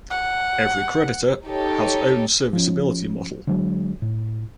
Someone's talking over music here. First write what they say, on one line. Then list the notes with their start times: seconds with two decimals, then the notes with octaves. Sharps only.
Every creditor has own serviceability model.
0.11 F#5
1.46 D#4 G4 A4 C#5
2.53 F3 C#4
3.47 D3 F#3 G#3
4.02 A2